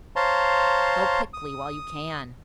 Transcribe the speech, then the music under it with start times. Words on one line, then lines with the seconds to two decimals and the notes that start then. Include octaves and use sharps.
"Go quickly, while you can!"
0.16 C5 C#5 F5 A5 A#5 C6
1.34 D#6